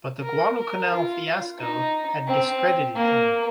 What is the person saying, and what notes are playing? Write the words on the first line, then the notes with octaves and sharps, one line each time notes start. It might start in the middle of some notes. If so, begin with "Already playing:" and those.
But the Guadalcanal fiasco had discredited him.
A#4
A#4
F4
D#4
C4
A#3